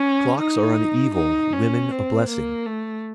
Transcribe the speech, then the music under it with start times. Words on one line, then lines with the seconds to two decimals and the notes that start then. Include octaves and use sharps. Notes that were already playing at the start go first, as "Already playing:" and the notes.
Clocks are an evil, women a blessing.
Already playing: C#4
0.40 D#4
1.15 D#4
1.53 C#4
1.91 C4
2.29 A#3
2.66 A3